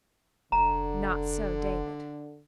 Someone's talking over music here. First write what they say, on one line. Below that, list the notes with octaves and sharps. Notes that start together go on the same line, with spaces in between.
Not so David.
F1 D3 A#5